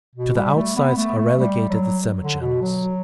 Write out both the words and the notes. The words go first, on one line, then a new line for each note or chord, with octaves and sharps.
To the outsides are relegated the semichannels.
B2
G3
A3
B3
A3
A3
G3
F#3
D3
B2
F#3